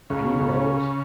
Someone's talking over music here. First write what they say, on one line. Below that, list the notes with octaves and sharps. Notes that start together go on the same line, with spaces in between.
And he rose.
C#2 C#3
B2
C#2
C#4